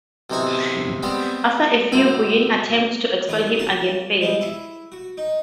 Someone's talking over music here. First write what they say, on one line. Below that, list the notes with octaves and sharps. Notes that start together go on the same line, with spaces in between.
After a few Buyid attempts to expel him again failed.
B1 C3 E3 D#4 D#5 C#6
G3 G#3 B3 C4 G4 B4
C#2 F#2 E4 C5 B5
A1 E3 B3 F#5 D#6
A#3 F#4 F5 A5
G3 G#3 B3
E4
F#4
D#4